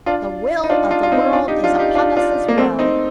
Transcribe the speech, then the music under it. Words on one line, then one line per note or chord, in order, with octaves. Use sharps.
The will of the world is upon us as well.
D4 F4
D#4
D4 F4
D4 F4
F4
C4 D#4
D4 F4
D#4 G4
D4 F4
D#4 G4
D4 F4
D4 F4
A#3
A3 C4
C4 D#4